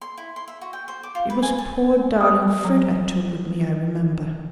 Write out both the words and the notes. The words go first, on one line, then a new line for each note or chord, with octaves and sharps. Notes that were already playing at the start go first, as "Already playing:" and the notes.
It was poor darling Fred I took with me, I remember.
C6
E4
C6
E5
F#4
G5
C5
D6
F4
B4
G#5
A5
D#6
F#3